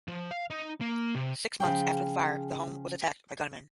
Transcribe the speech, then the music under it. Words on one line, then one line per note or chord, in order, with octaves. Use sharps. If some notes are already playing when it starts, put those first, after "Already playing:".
Six months after the fire the home was attacked by gunmen.
F3
F5
D#4
A#3
C3
C#3 F3 G#4 G5